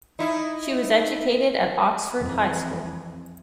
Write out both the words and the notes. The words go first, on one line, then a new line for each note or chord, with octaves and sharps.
She was educated at Oxford High School.
D#4 E4
F2 E3